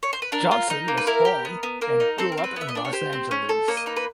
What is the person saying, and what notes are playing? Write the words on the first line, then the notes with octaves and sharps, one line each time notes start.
Johnson was born and grew up in Los Angeles.
C#5
C5
B4
D4 A#4
F4
D#4
A#3
B4
E4 A#4
G4
B3
B3
A#3 A#4
D#4
C4 A4
A#4
C4
B4
B3 E5
D#5
D4 D5
C#5
G4 C5
C4
C#4
A4
A#3 C#5
D#5
D#4 B4
B4